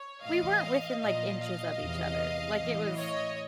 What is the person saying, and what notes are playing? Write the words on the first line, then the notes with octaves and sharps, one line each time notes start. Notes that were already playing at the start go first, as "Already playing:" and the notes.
we weren't within, like, inches of each other, like, it was
Already playing: C#5
A2 E3 D#5 F5
A#2 F3 D#5 F5
D#5 F5
E2 C3 E3
A2 E3
C#5 D#5